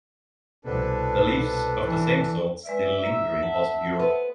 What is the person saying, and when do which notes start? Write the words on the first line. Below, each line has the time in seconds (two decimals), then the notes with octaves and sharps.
Beliefs of the same sort still linger in parts of Europe.
0.65 C2 B2 D4 A4 B4
1.82 E3
2.66 G#3 B4 D5 E5
3.02 A#5 E6
3.42 F#5 A5
4.00 B3